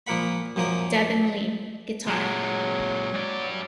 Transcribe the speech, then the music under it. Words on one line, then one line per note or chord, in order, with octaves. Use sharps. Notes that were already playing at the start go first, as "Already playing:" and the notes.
Devin Lee, guitar.
A#2 F3 A#3 A#4 F#5 B5
F#2 A#2 F3 A#3 A#4
A#2 F#3 G#3
G2 D5